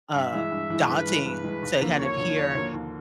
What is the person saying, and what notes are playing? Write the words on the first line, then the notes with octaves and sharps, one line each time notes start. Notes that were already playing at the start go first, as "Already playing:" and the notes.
uh, daunting to kind of hear
G2 E5
E3 G#3
G2
E3 G#3
G2 B4
E3 G#3
G2 B4
E3 G#3
D#2
D3 F3 A#3
D#2 C#5
D3 F3 A#3
D#2
D3 F3 A#3
D#2